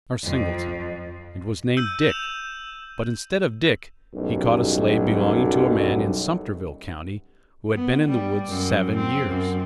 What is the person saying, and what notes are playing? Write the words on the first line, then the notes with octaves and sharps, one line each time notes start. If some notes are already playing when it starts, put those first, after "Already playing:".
M.R. Singleton, and was named Dick, but instead of Dick he caught a slave belonging to a man in Sumterville county, who had been in the woods seven years.
F2
E6 G6 D#7
G6 E7 F7
B1 F#2 A2 G3
B3
G3
F#2
C4
F#2